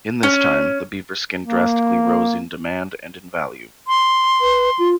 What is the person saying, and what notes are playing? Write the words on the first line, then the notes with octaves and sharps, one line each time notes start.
In this time, the beaver skin drastically rose in demand and in value.
C#4
A#3
C6
B4
F4